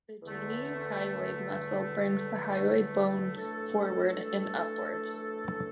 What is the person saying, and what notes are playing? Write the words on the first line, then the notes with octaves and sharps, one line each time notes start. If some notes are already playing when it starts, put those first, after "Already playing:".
The geniohyoid muscle brings the hyoid bone forward and upwards.
E2 D3 A3
F#2 E3 A3 D4 A4